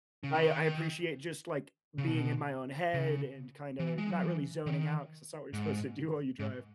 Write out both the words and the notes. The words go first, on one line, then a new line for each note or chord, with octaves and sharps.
I I appreciate just, like, being in my own head and kinda not really zoning out, 'cause it's not what you're supposed to do while you drive.
C#3
D#3
C#3
B2
C#3
E3
G#3
F#3
E3
D#3
G#2
G#2